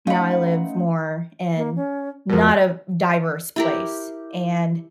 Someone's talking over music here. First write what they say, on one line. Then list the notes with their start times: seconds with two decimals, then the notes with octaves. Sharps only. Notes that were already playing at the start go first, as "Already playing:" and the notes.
now I live more in not a diverse place, and,
0.07 A3 C#4 D#4 F4 F#5 B5
1.56 A#3
1.76 C#4
2.30 F2 B2 A#4
3.56 E4 G4 A#4